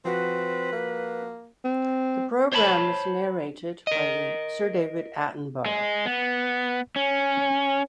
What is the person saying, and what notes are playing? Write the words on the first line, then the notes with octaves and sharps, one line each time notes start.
The programme is narrated by Sir David Attenborough.
F3 C4 F#4 B4
A#3
C4
C5 C#5 A5 B5
A#4 D#5
G#3
B3
C#4